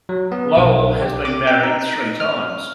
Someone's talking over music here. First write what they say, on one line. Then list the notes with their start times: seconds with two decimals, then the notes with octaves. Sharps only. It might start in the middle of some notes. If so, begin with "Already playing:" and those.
Lowell has been married three times.
0.09 F#3
0.32 B3
0.57 B1
1.02 G4
1.25 D6
1.47 G5
1.63 D#4
2.20 F6